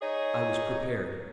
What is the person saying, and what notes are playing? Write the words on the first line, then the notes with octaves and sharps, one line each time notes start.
I was prepared.
D#4 G#4 C#5 D#5